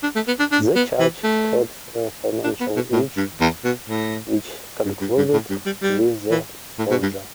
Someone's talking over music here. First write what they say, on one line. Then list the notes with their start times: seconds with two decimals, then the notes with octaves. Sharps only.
The church had financial issues which concluded with the closure.
0.03 D4
0.16 A3
0.27 B3
0.39 D4
0.51 D4
0.75 B3
1.00 E3
1.23 A3
2.44 D4
2.61 B3
2.76 B2
2.93 A2
3.17 G2
3.41 E2
3.65 B2
3.89 A2
4.86 G2
5.01 G2
5.18 G2
5.34 A2
5.50 G2
5.66 G3
5.82 G3
6.31 E3
6.79 A2
6.91 B2
7.02 G2